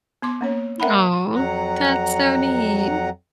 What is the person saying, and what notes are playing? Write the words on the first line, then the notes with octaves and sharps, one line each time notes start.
Aw. That's so neat.
B3 C6 D6
A#3 C#4 C#5
A#4 E5 F#5 G5 A#5 B5
F2 F#3 F#5 A#5